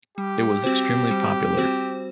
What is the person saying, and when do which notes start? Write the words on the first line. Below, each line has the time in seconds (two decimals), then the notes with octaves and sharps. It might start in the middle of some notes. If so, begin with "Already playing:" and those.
It was extremely popular.
0.18 G3 G4
0.64 C4 F#4 C5
1.11 G3
1.57 C4 F#4 C5